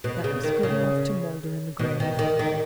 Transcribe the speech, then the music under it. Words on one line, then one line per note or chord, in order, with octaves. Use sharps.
That was good enough to moulder in the grave.
B2
C#3
D#3
C#3
B2
D#3
D#3
D#3